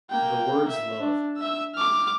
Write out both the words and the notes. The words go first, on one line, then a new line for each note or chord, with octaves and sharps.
The words Love.
A#3 G5
E5
D4
E5 E6
D6 F6